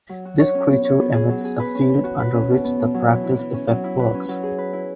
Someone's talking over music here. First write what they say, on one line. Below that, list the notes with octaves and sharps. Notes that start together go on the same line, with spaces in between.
This creature emits a field under which the Practice Effect works.
F#3
F#4
C#5
C#4
B3
C#5
B3
G#4
F#3
G#4
B4
C#4
E3
F#4
B4
C#4
B2
B3
B2
F#3
E3
E4
E3
C#4
F#3
E4
B4
C#4
F#3
G#4
B4
E4